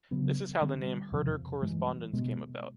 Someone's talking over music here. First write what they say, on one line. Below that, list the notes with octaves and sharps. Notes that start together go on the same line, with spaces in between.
This is how the name "Herder Korrespondenz" came about.
C#3 F#3 B3
D3 G3 C4
E2 C3 F3
G2 E3 G#3
B2 G#3 B3